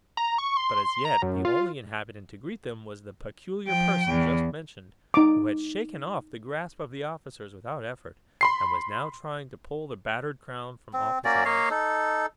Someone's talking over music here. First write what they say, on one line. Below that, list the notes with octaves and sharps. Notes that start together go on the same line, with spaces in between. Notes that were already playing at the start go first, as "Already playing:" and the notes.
But as yet the only inhabitant to greet them was the Peculiar Person just mentioned, who had shaken off the grasp of the officers without effort and was now trying to pull the battered crown from off his eyes.
A#5
C#6
C6
A#5
F#2
F4
F3 G5
E2
D#4 D6
B5 C6 C7
C4
A#3 C#4 F#4 D5
A#3 C#5 D#5 F5
D#4 A4